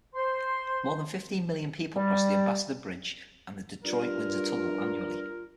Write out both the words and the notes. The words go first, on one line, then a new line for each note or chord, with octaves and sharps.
More than fifteen million people cross the Ambassador Bridge and the Detroit-Windsor Tunnel annually.
C5 C6
G3
G2 F4 G4 A#4 D5